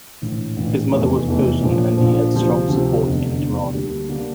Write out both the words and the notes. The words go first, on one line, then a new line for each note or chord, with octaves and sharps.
His mother was Persian and he had strong support in Iran.
A#1 A2 E3
A#1 A2 E3
F1 E2 E3 A3
F1 E2 E3 A3
A#1 A#2 F3
A#1 A#2 F3
D2 C3 F3
D2 C3 F3
F1 E2 D3
F1 E2 D3
D2 D3 G3 A#3 D4
D3 G3 A#3 D4